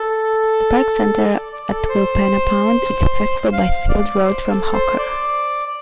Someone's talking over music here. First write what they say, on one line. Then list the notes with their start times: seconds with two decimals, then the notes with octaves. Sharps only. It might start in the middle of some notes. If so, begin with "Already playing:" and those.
The park centre at Wilpena Pound is accessible by sealed road from Hawker.
Already playing: A4
1.34 D5
1.52 D5
1.70 A4
1.89 C5
3.52 F5
3.89 D5
4.25 C5
4.49 A4
4.73 C5
4.98 D5